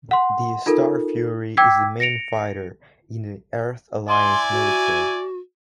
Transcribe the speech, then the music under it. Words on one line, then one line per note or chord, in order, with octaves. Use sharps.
The Starfury is the main fighter in the Earth-Alliance military.
F#5 C6
D#4 F4 A4 A#4
G5 D6 E6 G#6 B6
A#6 C#7 D7 F7
E4 D5 G#5 C6
F#4